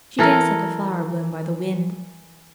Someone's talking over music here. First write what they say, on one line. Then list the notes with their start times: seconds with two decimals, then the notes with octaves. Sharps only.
She danced like a flower blown by the wind.
0.19 E3 A4 A#4